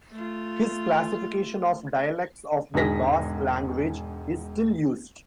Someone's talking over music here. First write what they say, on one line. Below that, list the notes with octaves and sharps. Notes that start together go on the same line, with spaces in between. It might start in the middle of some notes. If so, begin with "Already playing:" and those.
His classification of dialects of the Basque language is still used.
A3 F4
E1 G#2 D3 G#4 A#6 B6